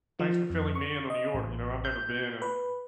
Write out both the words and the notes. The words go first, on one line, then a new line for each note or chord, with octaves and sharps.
thanks for filling me in on New York. You know, I've never been, and
F3
F2
C#6
D#5
A1
G6
B4